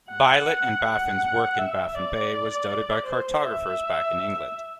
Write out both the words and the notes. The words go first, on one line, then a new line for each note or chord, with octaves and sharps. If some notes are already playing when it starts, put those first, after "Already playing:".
Bylot and Baffin's work in Baffin Bay was doubted by cartographers back in England.
F#5
F#5
E5
D5
C5
E5